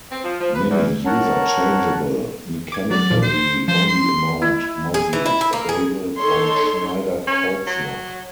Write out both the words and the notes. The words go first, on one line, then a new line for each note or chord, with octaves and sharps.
Many user-changeable mechanically-only mount modules available from Schneider Kreuznach.
C4
F3
F3
B4
E2
A#4 C#5 F#5 A5 A#5
D6 G#6
F#3 D5
A#2 F3
C5 C7
F3 C5
C6
E4
G#4
E3
E4
E4
A#3
G#4
D#4 A4 C#5 C6
C#4
F#3